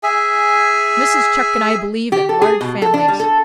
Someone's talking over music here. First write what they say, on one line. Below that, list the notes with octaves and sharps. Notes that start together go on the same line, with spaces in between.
"Mrs. Chuck and I believe in large families."
G#4 E5 G#5
G4
A4
G#4
B2
A4
D4
G3
A4